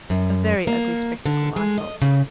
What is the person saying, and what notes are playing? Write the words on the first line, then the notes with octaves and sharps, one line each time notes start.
A very ugly spectacle, I thought.
F#2
A#3
D3
G#3
D#5
C#3